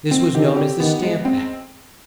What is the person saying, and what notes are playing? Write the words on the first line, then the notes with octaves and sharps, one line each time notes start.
This was known as the Stamp Act.
C4
D#3 G4
G4
D#3 B3
G#3
C4